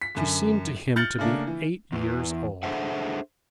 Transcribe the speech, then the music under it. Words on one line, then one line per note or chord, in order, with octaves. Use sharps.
She seemed to him to be eight years old.
B6
F#2 D3
F6 G6 A6 C#7 F#7
C#3 A3 A#3 D4
E3
E2 E3
D4 G#4 A4 C5 E5 F#5